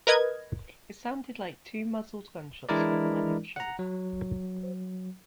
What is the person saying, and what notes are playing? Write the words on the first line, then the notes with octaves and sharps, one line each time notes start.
It sounded like two muzzled gunshots off my left shoulder.
A#4 B4 D#5 G#6
E3 G#3 D4 E4 A#4 D5
F#5 A#5
F#3